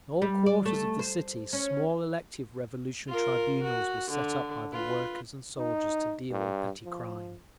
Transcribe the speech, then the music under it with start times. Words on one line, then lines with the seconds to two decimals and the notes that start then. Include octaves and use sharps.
In all quarters of the city small elective Revolutionary Tribunals were set up by the workers and soldiers to deal with petty crime....
0.22 G3
0.46 D5
0.66 A3
0.99 C5
1.53 C#4
3.09 F4 A#4
3.64 F#4
4.12 D3
4.73 F4 B4
5.57 D#4
6.31 G2
6.85 F3